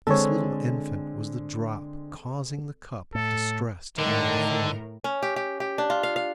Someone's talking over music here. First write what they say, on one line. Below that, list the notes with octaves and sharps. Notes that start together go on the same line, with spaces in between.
This little infant was the drop causing the cup of distress to overflow.
D3 G#3 C4 A4 C#5
A2 A4
A2 D3 D#3 A#4
C#4
G4
G4
G4
D4
F4
F5
F5